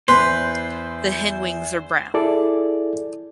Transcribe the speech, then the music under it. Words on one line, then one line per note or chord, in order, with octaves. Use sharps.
The hindwings are brown.
E2 B4 C5 C6
E4 G#4 A4 D5